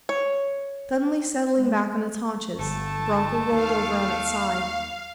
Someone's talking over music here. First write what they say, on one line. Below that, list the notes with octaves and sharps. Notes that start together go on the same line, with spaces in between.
Suddenly settling back on its haunches, the broncho rolled over on its side.
C#5
G#3
G1 A3 A5
D#2 F5